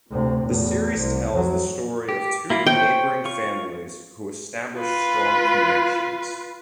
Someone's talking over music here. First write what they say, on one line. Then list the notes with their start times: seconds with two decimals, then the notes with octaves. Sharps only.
The series tells the story of two neighbouring families who establish strong connections.
0.11 D2 C3
0.45 E2 A2
0.98 C2
1.33 F2 F#3
2.09 G4
2.50 A#3 E4 F4
2.67 C5 C#5 G5 C#6
3.25 F4 C#6
4.77 F4 B4